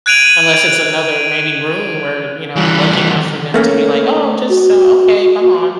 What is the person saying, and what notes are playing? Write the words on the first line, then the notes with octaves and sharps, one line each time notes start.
unless it's another, maybe, room where, you know, I'm lucky enough for them to be like, "Oh, just, uh, okay, come on."
F#6 G#6 D7 D#7 F7 F#7
E3 G3
A3 A#3 C#4
F#4